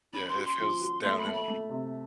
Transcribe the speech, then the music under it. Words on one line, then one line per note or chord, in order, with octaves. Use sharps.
Yeah, it feels downhill,
C#4 B5
C6
F#4
C6
F3
F#4
A3 C6
B5
A3
B5
A3
C3